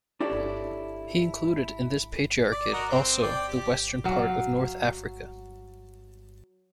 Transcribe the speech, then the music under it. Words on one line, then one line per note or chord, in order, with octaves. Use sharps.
He included in this patriarchate also the western part of North Africa.
D4 E4 G4 A4 C#5 D5
D5
F#4 A#4 D#5
C4
D5 G5
G4
F#3 F5